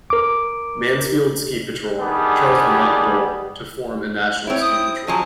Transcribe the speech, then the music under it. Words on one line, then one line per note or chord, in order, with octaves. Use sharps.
Mansfield Ski Patrol, Charles Minot Dole, to form a national ski patrol.
A#4 D6
D#3 G3 B3 D4 G#4
C4 E4 C#5
D#6
F3 F#3 G#4 G#5